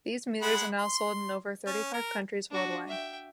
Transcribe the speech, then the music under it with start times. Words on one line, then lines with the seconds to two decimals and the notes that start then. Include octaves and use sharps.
These meters are now sold in over thirty-five countries worldwide.
0.42 G#3 F#5 B5
0.79 C6
1.67 C#4
1.93 A#4
2.51 D4 F#4
2.87 E5 G5